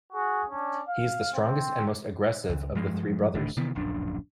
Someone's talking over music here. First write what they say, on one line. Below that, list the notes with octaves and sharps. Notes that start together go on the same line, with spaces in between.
He is the strongest and most aggressive of the three brothers.
F#4 G#4
C#4 D4
F5
C4
C#2
G2 F3 G#3
D#1 A2 D3
C3 D#3 E3 B3
D1 A#1 F#2 D4